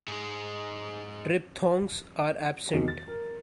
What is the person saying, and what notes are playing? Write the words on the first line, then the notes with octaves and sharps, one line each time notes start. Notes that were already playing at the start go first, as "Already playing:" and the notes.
Triphthongs are absent.
G#2 G#3
B1 E2 B2 D#3
A6
A#4